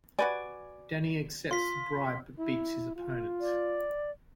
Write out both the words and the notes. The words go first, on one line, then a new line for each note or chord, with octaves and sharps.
Danny accepts the bribe but beats his opponent.
F#4 B4 D5 G#5
F4 C6 B6
E4
F4
D5